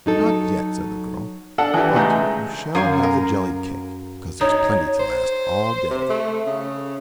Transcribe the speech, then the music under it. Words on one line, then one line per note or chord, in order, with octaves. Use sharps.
"Not yet," said the girl, "but you shall have the jelly-cake, 'cause there's plenty to last all day."
F#3 D#4 A4
D4 A4 F#5 A5
E3 D4 E4 G4
C#2 G#3 A3 D#4 A#5 G6
F#2 F5 G#5
A#4
D#4 C#5
C5
C3
A3
C#3